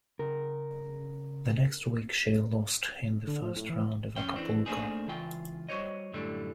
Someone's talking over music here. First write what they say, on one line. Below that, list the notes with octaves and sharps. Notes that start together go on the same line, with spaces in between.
The next week she lost in the first round of Acapulco.
C#3 A#4
D3
F3
A2
E3
F2 C#4 G5
E3 C4 D4
A3 A#3 C4 D4 D#4 G#4
C#2 E3 F4 G5
G3 F#4 C5 C#5 D#5
F#2 A2 D3 F#3 G3 A3